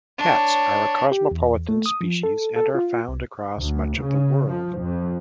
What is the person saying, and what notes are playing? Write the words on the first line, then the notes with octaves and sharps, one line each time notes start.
Cats are a cosmopolitan species and are found across much of the world.
D4 C#5
G4
E2
A3
D#6
F3
A4
A4
F4
C2
D2
C#3
F3
F2